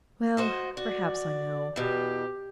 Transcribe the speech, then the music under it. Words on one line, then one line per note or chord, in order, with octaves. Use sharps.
Well, perhaps I know.
F#4 C5 D#5
F#4 D5
E2 B2 G4